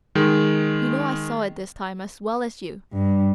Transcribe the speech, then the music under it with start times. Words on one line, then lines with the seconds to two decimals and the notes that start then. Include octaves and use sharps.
You know I saw it this time as well as you.
0.15 D#3 G#3
2.93 G2